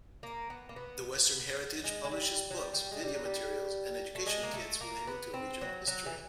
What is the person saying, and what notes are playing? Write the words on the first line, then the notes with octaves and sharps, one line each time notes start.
The Western Heritage publishes books, video materials, and education kits relating to regional history.
A#3
B3
A#3
B3
G#3
G#3
G3
F#3
G3
G3
G#3
G3
F#3
G3
A3
G#3
A#3
A3
A#3
B3
C4
F#3
F#3
E3